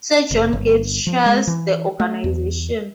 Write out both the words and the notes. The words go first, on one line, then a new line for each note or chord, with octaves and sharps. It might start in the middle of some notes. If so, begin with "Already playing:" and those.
Sir John Gieve chairs the organisation.
F1
G1
F3
G#3
E3
A3
E2